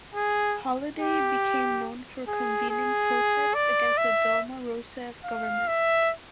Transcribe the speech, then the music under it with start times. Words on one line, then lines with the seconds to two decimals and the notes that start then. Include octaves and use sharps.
Holiday became known for convening protests against the Dilma Rousseff government.
0.15 G#4
1.00 G4
2.28 G#4
2.70 G#4
3.54 D5
3.97 E5
5.24 F5
5.67 E5